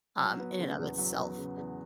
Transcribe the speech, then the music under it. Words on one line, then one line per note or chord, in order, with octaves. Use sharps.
um, in and of itself.
F#3
B3
C#3
E2
F#3
B3
C#3
E2